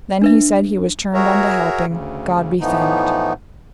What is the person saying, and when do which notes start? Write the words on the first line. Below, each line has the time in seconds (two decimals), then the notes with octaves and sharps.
Then he said he was turned unto helping, God be thanked.
0.22 D4 B4 E5
1.14 F#4 G#4 A#4 C#5 E5 A#5
1.88 D2 C#3
2.60 A2 E3 F3 A3 B3 D#4